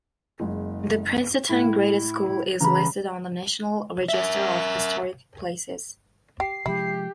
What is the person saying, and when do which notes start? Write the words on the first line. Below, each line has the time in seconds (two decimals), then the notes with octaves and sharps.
The Princeton Graded School is listed on the National Register of Historic Places.
0.40 F#1 G#3
1.49 A2 E4
2.60 C#3 E3 A#5 B5
4.09 A#4 E5
6.40 G4 C7
6.66 C3 F3 G#3 E4 G4